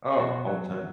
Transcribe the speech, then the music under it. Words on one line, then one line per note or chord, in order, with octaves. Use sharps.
Oh, all the time.
G#4
B2 F#4
F#3
F#3